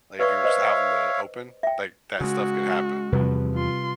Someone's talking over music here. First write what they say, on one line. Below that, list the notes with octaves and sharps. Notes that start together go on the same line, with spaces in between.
like, if you were just out in the open, like, that stuff could happen,
B4 C#5 D5 E5 F5 C#6
C5 D#5
E5 G5
C#3 G#3 F#4
E2 C3 F3 G3 B4
F4 C6